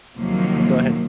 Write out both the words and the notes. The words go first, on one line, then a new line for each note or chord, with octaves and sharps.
go ahead.
D#2 C3 F3 F#3 A#3